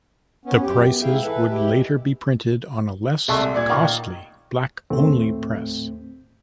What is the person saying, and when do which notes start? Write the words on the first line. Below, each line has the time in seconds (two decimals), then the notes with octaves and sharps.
The prices would later be printed on a less costly black-only press.
0.45 B3 C#4
0.63 F#2 G4
0.87 B3
1.02 G#2 E4 G#4 E5 F5 G5
1.23 E3 E4 A4 B4
1.49 G#3 E4 G4
3.28 C2 G#3 A3
3.54 A#2 D5 G#6
3.70 D#3 A#3
4.90 D#2 A2 A3 C4